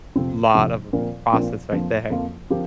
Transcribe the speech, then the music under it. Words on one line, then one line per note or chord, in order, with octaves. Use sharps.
lot of a process right there.
F2 C3 F3 C4
F2 C3 F3 C4
A#2 F3 C4 F4 A#4
A#2 F3 C4 F4 A#4
F2 F3 A#3 F4
F2 F3 A#3 F4
F3 C4 G4 A#4